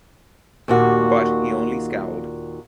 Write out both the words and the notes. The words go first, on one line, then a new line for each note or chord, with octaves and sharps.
But he only scowled.
D#2 A#2 F#4